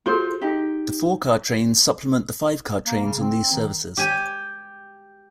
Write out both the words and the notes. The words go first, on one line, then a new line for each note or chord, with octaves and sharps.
The four-car trains supplement the five-car trains on these services.
F4 F#4 G#4 A4 C5
D#4 G4
A#3
C#3
C4
D#3
G4 G#5